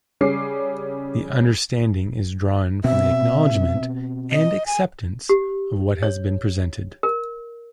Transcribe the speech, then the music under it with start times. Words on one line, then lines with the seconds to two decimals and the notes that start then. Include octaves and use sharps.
The understanding is drawn from the acknowledgment and acceptance of what has been presented.
0.21 C#3 G3 C#4 D6 C7
2.84 B2 C4 E5
4.31 D#5
4.66 G#5
5.29 G4
6.03 C#5
7.03 A#4